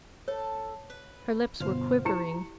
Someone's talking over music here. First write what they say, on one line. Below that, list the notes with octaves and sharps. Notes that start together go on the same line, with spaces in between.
Her lips were quivering.
A4 C#5
B4
G1 B2 C5 F5
E4 G4 A#5 C#7 E7